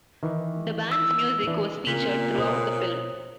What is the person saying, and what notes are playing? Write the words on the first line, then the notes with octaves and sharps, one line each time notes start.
The band's music was featured throughout the film.
D#3 E3
E6
E3 D4
A#2 C#3 A#3 C4 F4 B6
B2 C5 C#5 D#6